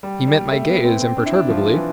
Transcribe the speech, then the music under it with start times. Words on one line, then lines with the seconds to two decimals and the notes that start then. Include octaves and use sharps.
He met my gaze imperturbably.
0.03 G3
0.27 G3
0.52 A3
0.68 B3
0.84 C4
1.00 C4
1.17 D4
1.26 E4
1.33 D4
1.50 F3
1.74 E3